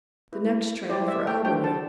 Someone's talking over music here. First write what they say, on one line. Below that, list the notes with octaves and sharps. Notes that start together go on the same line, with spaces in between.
"The next train for Albany."
E4 B4
E4 G4 C5 D5
E5
G5
D4 F#4 C5 G5
A5